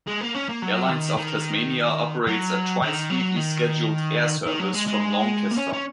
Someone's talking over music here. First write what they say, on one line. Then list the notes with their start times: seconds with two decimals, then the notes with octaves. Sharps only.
Airlines of Tasmania operates a twice-weekly scheduled air service from Launceston.
0.07 G#3
0.21 A#3
0.34 C#4
0.49 A#3
0.62 F#3
0.90 D#3
1.17 D#3
2.27 F#3
2.82 D#3
3.10 F#3
3.37 D#3
4.46 D#3
4.60 F#3
4.74 G#3
4.88 G#3
5.51 A#3
5.56 C#4
5.73 C#4